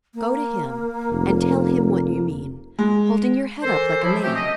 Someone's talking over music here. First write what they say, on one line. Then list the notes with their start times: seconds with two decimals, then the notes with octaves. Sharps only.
Go to him, and tell him what you mean,--holding your head up like a man.
0.14 A#3
1.11 F1
2.79 G#3
3.63 E3 A4 A#4 C5
4.03 F3 F#3 E4
4.23 A3 C4 C#4 F#4 G4
4.35 D#5